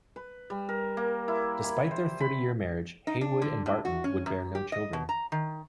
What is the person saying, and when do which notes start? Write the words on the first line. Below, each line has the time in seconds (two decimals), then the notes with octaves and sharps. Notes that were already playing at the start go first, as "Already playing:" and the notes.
Despite their thirty-year marriage, Heywood and Barton would bear no children.
0.16 B4
0.50 G3
0.69 A#4
0.97 A#3
1.28 E4
1.64 B5
1.91 C5
2.20 B5
3.07 D#4
3.21 D4
3.42 D3
3.66 A2
3.85 F#4
4.04 C#4
4.26 F#2
4.55 G4
4.72 D#5
4.93 B2
5.09 A#5
5.32 D#3